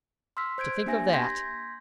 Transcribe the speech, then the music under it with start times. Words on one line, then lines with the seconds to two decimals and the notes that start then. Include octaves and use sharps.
'To think of that!
0.37 C6 E6 F6 B6
0.58 C5 G6 G#6 D7
0.86 A#3 D4 G4 E5 G#5 A#6
1.13 C6 G6 G#6 A#6 B6